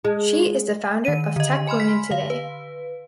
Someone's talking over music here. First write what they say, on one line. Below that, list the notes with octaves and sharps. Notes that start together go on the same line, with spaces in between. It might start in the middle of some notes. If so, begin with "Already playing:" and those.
She is the founder of Tech Women Today.
G#3
D#3 D#7
D3 D#5
G#5 B5 C6 F6
B6
D3 F5
B4